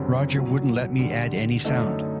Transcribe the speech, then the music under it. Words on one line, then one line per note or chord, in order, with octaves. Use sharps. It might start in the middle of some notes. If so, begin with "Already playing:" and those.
Roger wouldn't let me add any sound.
Already playing: F#1 F#2 D3 G3 C4
C2 A#2 F#3
D2 D3 G3
F#2 D3 A3 D#4 A4